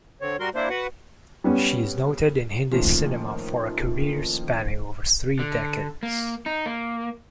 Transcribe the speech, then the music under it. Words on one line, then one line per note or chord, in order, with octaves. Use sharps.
She is noted in Hindi cinema for a career spanning over three decades.
D3 C4 C#5
G3 F#4 A#4 C6
A#3 D4 E4 C5
F#4 B4 F#5
G3 B3 C#4
A2 D#3 F3 A#3 C#4 F4
D3
A#3
D#4
A#3